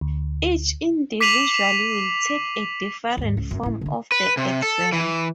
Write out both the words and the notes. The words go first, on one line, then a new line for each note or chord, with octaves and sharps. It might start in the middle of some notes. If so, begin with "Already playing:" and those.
Each individual will take a different form of the exam.
D2
D6 B6 C7 D#7 F7 F#7
D#2 G#2
C#2
F#2
A1 E4
D3 D#4
B4
C3
A4
E3